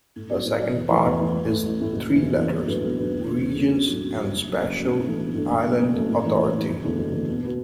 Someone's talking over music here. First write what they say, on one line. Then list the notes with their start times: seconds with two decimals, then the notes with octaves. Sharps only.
The second part is three letters: regions and special island authority.
0.16 A2
0.30 F#3 B3 F#4 D5
0.45 A2
0.59 F#3 B3 F#4 D5
0.75 E2
0.90 E3 A3 E4 B4
1.05 E2
1.19 E3 A3 E4 B4
1.34 A1
1.48 A2 A3
1.64 A1
1.79 A2 A3
1.93 F#1
2.08 E2 E3
2.22 F#1
2.38 E2 E3
2.53 B1
2.67 A2 F#3 D4 B4
2.82 B1
2.97 A2 F#3 D4 B4
3.12 E2
3.27 D3 A3 D4
3.41 E2
3.56 D3 A3 D4
3.71 B1
3.86 A2 F#3 D4
4.01 B1
4.16 A2 F#3 D4
4.31 F#1
4.46 F#2 F#3
4.60 F#1
4.76 F#2 F#3
4.90 B1
5.05 A2 E3 A3 D4
5.20 B1
5.34 A2 E3 A3 D4
5.50 F#1
5.65 F#2 F#3 A3
5.80 F#1
5.94 F#2 F#3 A3
6.08 A2
6.24 E3 A3
6.39 A2
6.53 E3 A3
6.68 F#1
6.84 E2 D3 A3
6.99 F#1
7.12 E2 D3 A3
7.28 B2
7.43 B3 F#4 B4